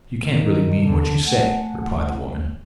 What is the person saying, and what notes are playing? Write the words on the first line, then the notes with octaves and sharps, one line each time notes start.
'You can't really mean what you say?' replied the woman.
D#3
D3
A3 F#5 G#5